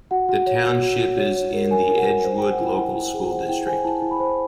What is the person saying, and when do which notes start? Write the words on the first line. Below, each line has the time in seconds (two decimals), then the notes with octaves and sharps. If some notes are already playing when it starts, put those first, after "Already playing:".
The township is in the Edgewood Local School District.
0.11 F#4 F#5
0.28 F#4 F#5
0.47 C#5
0.64 F#4
0.82 F#4
1.00 F#4
1.18 C#5
1.35 C#5
1.53 A#4
1.71 A#4 G#5
1.89 A#4
1.97 F#5
2.07 F#4
2.24 C5 G#5
2.38 C5 G5
2.51 F#5
2.60 E4 G5
2.78 E4 F#5
2.96 E4
3.13 G#4
3.31 C5 F#5
3.49 E4 G5
3.67 C5 G#5
3.84 E4 A5
4.02 E4
4.11 B5
4.20 C5